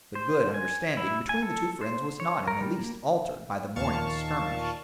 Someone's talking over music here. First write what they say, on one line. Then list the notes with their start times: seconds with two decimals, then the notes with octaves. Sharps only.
The good understanding between the two friends was not in the least altered by the morning's skirmish.
0.15 C5
0.54 G#5
0.97 E4
1.29 G#5
1.43 A4
1.81 C5
2.20 C#5
2.47 A#4
2.61 G3
2.79 A#3
3.76 D#2 A#2 F5 A5 C#6